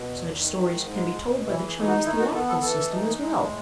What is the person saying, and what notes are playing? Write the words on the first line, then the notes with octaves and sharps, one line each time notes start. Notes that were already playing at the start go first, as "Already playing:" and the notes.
Such stories can be told by the Chinese theatrical system as well.
Already playing: B2
E2
D#3
G#2
G#3
B2
E3 E4
G#4
D#4
F#4
D#3 E4
F#4
B3 A4
A4
E3 A4
D#4
G#3
A2